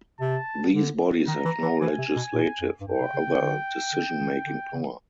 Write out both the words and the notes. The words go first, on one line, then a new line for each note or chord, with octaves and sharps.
These bodies have no legislative or other decision-making power.
C3 A5
D3
D#3 A#5
E3
E3
E3 G#5
C3
B2
A#2
F2
G2
F#2 G5
C3
C#3
C#3
D3
D3
D#3
D3
C#3